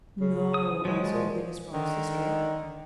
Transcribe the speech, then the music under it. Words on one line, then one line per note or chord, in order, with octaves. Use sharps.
"No," answered the Biggest Frog's Sister.
C#3
D#6
F3 F#3 G#3
A#2
D3 D#3